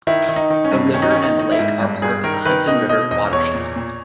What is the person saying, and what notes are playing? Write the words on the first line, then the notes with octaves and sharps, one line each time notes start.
The river and lake are part of the Hudson River watershed.
D#3 E4
D#3
D#4
D#3
C#4
G2
D#3 C#4
D#4
D#3 C#4
D#4
D#3 D#4
E4
G#2
G2
G2 G#4
D#3 A#4
D#3 B4
B2 D#5
B2 D#5
E2 D#5
E2 C#5
A#2
A#2